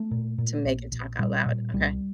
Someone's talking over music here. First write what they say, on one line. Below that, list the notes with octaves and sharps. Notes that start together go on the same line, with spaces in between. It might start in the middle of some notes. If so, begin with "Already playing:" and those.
to make it talk out loud. Okay.
Already playing: A3
A#2
A#2
A#1
A#1
A#2 G3
A#2
C2 G3